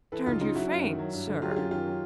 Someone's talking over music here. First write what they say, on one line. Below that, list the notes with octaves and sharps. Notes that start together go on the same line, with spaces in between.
'Turned you faint, sir!
E3 A4 B4
C#2 D#4 F4
C#3 D#4 F4
F#3 E4 F#4
F#2
D#3
F#3
G2
D3
F#3 F4 G4
G#4
F#2 F4 G4
D#3 F4 G4
F#3